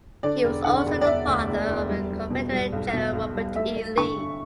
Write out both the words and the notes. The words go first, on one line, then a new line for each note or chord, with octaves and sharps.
He was also the father of the Confederate General Robert E. Lee.
D3 D5
E1
D3 F#5
E1
D5
E1 E5
D2
E1
E1
G3
G3
B2
G3
B1
B2
B1
G3
A3 E5
A3
D3 C#6
D3